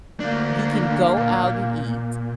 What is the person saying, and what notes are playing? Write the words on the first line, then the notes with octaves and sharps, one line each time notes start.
you can go out and eat,
D2 A#3 D4
A#2